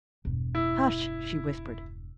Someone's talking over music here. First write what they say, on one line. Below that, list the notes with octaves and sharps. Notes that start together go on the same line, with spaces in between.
"Hush!" she whispered.
E1 G2
E4